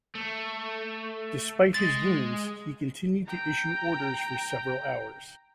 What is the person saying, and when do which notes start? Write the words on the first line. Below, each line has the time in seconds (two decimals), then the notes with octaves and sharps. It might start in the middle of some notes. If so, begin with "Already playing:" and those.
Despite his wounds, he continued to issue orders for several hours.
0.15 A3
1.74 G#3 A6
3.26 G5 A#5